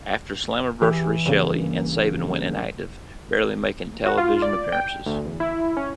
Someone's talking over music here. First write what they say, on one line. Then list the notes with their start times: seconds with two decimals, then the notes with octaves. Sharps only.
After Slammiversary Shelley and Sabin went inactive, barely making television appearances.
0.82 E3 G4 G#4
1.26 G2 C#3 A#3
4.06 F#4
4.18 F4
4.42 D5
4.72 G5
5.06 D2
5.25 E2
5.40 E4
5.77 C#4